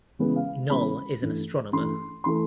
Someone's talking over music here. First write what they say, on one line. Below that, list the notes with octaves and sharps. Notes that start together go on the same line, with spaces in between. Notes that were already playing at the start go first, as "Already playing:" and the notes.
Noll is an astronomer.
C#3 E3 G#3 B3
F5
C#3 E3 G#3 B3 B5
G2 E3 A3
G2 E3 A3 C6
E3 A3 C6